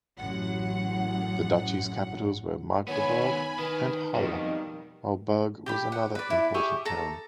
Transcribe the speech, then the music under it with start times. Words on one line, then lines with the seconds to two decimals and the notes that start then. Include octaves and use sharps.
The duchy's capitals were Magdeburg and Halle, while Burg was another important town.
0.18 A1 F#2 F#5
2.88 D#3 B3 C#5 G#5 B5
3.59 D#3 B4
4.15 F2 B2 D#3 G3
5.66 G4 G5 B5
5.92 F#5
6.15 B4 D5
6.30 E4
6.54 G4 G#4 E5 C#6
6.85 A4 A#5